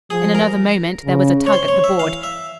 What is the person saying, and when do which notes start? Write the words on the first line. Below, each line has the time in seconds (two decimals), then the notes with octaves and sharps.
In another moment there was a tug at the board.
0.10 F3 G#4
0.35 A#4
1.05 C#3
1.46 C#5
1.53 C5
1.68 C#5
1.84 E5
1.99 E3 F5
2.23 E5